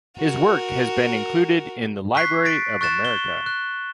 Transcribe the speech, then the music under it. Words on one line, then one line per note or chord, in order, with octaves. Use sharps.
His work has been included in the Library of America.
F#4 A#4
C#6 F#6 B6 C7
A6 B6 D7
C#6 F#6 A6 E7
G7
F#6